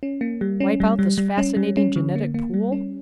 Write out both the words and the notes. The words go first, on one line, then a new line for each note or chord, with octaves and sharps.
Wipe out this fascinating genetic pool?
C#4
A#3
G3
C#4
G3
G3
G3
C#4
G3
C#4
D3
A#3
A#3
G3
C#4